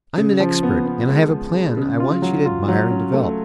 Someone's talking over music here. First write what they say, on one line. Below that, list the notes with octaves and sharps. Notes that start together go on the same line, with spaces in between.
I am an expert and I have a plan I want you to admire and develop.
C#3
F3
B3
B3
G#3
G#3
G#3
C#3
F4
F#3
F4
F#3
C#4
A3